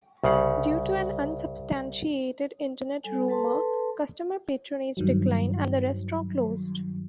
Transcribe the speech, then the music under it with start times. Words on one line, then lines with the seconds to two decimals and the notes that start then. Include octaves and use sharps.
Due to an unsubstantiated internet rumor, customer patronage declined and the restaurant closed.
0.24 C2 C#3 F5 F#5
3.04 G3 A4 G#5
3.28 A4 B4 A5 C6
4.97 G2 D#3 F#3